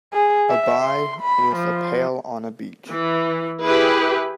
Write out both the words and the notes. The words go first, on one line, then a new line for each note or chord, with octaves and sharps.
A buy with a pale on a beach.
G#4
E5
C6
B5
F3
E3
E4 G4 G#4 B4